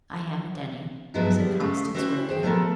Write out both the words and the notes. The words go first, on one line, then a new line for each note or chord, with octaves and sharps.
"I haven't any," said Constance wearily.
G2 F3 F#3 G#3 B3 E4
G3
C#3 G#3 A3
C4 C#4 E4 F#4 A4 C5
G#4 C5 G5
F3 A3 B3 A4 A#4